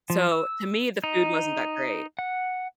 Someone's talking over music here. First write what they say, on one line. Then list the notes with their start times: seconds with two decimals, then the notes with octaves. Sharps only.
So, to me, the food wasn't that great.
0.10 F3
0.31 E6
1.04 D#4
2.19 F#5